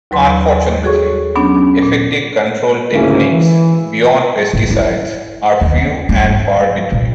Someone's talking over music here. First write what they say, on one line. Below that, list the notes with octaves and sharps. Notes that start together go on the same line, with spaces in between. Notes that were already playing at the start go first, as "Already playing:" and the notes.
Unfortunately, effective control techniques beyond pesticides are few and far between.
D#2 F#3 B4 C6
F#4 G#4 A4 C#5 C#6
F#3 B3 C#4 D4
A#2
D2 G#2 C#3 A#3 C#4 E4
E3
A2
E4
D#2
G#3
G#2
A#2